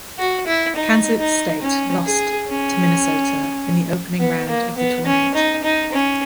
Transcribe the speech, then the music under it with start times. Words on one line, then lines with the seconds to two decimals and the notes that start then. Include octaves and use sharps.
Kansas State lost to Minnesota in the opening round of the tournament.
0.19 F#4
0.47 E4
0.76 D#4
1.20 D#4
1.61 C#4
2.05 G#4
2.48 C#4
4.20 B3
4.48 A#3
4.78 B3
5.06 C#4
5.35 D#4
5.64 D#4
5.93 C#4